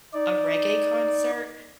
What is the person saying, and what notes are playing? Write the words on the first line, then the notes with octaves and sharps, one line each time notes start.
a reggae concert,
D#4 D5